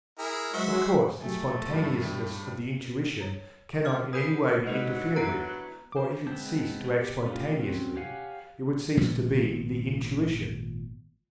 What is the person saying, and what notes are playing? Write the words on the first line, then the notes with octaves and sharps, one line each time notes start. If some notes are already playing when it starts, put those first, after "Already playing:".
Of course, the spontaneousness of the intuition cannot in any way be interfered with, for if it ceased to act spontaneously it would cease to be the intuition.
E4 G#4 A#4
F#3 G#3 F#4 C5 E5
F#3 A3 G4 G#4
G2 D#3 F#3 G3
G4 C#5
C#5 A#5
C#4 A#4 C5 F6
C4 G#4 B4 G#5 D#6 G6 C7
D3 F#3 G#3 D#4 A4 B4 C5 F#5
B3 E4 B4 E5 A#5 D7
C5 D6
G#3 B3 C4 A5 G6
G4
A3 B3 C#4 F4 G4
F#3 C4 C#4
G4 C#5 F5 F#5 G#5
G#1 A#2 F3 B3